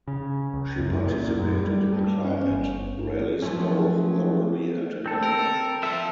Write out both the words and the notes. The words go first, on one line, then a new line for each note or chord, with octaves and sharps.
She participated in climate rallies both locally and in Denver.
C#3
C#2
F#2
A#2
F#2
G3
G2
C#4
G1
F3 F#3 A3 C#4
C4 A4
A#4
F3 A4 E5